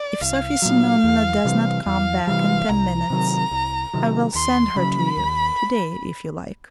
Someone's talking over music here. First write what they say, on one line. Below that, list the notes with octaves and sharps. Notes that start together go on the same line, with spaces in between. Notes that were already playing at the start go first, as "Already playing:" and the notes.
If Sofya Semyonovna does not come back in ten minutes, I will send her to you, to-day if you like.
Already playing: D5
C2 F5
A#2 F#3
E2
C3 E3 G3
E2 F5
C3 E3 G3 F5
C2 A#5
C3 D#3 F#3
C2
C3 D#3 F#3
D#2 C6
C#3 F#3 B5
D#2